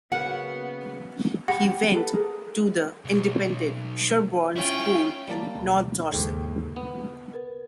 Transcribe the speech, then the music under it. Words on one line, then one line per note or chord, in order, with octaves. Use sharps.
He went to the independent Sherborne School in north Dorset.
C#3 A#3 B3 F#4 G#4 F#5
G4 F#5 B5
A4 B4 D5
G#4 A#4
B1
C#4 E4 F4 G5
G3 A#3 A5
D2 B2
D#2 G#2 C#3 A4 G5
B3
A#4 B4